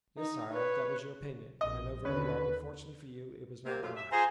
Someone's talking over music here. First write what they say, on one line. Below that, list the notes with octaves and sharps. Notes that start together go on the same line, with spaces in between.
"Yes, sire, that was your opinion, I know very well: but, fortunately for you, it was not mine."
D#4
B4 C#5
A#1 D#5
D#2 D3 C#4 B4
C3 A#3
F#2 A3 F4
E5
F4 G#4 C5 G#5 A#5 C6